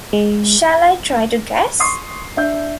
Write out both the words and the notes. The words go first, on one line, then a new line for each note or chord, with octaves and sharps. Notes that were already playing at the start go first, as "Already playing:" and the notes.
Shall I try to guess?
G#3
C6 C#6 D#6 C7
D4 E5 G6